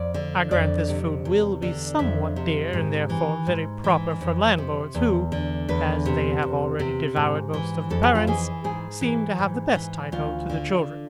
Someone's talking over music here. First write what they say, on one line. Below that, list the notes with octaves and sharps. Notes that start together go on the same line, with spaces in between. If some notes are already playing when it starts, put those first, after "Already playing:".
I grant this food will be somewhat dear, and therefore very proper for landlords, who, as they have already devoured most of the parents, seem to have the best title to the children.
Already playing: F2 D5
D3
F2 D5
C3
E2
D3
F2 E5
C3
G#2
E3
G#2
E3
F2
C3
E2
D3
E2 B4
C3
E2
C3
G#2
E3
F2 A4
G#4
F4
E3 G#4
G#2 G#4
E3
G#2
E3
D2 F4
D3